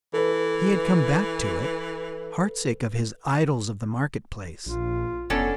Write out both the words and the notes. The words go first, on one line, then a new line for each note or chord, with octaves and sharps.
He had come back to it, heartsick of his idols of the marketplace.
E3 A4 B4
A#1 F4
F1 B3 C#4 D4 A4